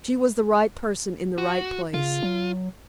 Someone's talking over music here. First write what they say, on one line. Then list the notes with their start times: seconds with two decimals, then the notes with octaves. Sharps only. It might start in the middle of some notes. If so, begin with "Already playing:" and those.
She was the right person in the right place.
1.38 F#4
1.94 C#3 F4
2.23 F#3